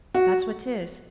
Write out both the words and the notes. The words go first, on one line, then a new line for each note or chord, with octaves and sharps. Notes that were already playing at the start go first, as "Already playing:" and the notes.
"That's what 'tis."
F#4